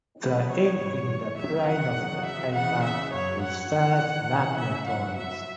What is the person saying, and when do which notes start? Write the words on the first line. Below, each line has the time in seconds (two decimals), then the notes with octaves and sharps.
The ink in the plane of the paper is first magnetized.
0.21 E2 C#3 F#3 B4
0.50 C#5
0.79 G#2 E3
1.37 E2 C#3 F#3 E5
1.66 F#5
1.96 E2 C#3 F#3
2.24 E5
2.53 E2 C#3 E3 F#5
2.82 E5
3.12 F#2 F#3 C#5
3.41 F#5
3.69 E2 E3 F#5
4.28 E2 C#3 E3
4.56 E5
4.86 F#2 F#3 F#5
5.15 E5